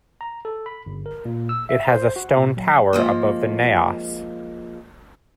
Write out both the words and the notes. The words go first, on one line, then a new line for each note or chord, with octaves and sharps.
It has a stone tower above the naos.
A#5
A4
B5
G1
A#4
A#2
E6
E5
C5
F#4
A#2
F#3
F3 G#3 A#3